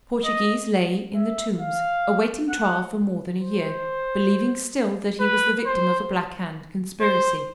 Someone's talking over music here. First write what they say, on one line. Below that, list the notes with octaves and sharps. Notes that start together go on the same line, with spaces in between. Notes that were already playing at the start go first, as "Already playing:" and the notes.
Portoghese lay in the Tombs awaiting trial for more than a year, believing still that he was the victim of a Black Hand conspiracy.
D#5
E5
F5
F#5
C5
B4
C5
C5